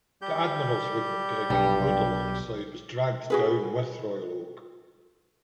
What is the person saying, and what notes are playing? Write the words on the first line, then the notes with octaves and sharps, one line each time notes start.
The admiral's wooden gig, moored alongside, was dragged down with "Royal Oak".
G3 G4 G6
B1 G2 D5 G5
F#4 G#4 B4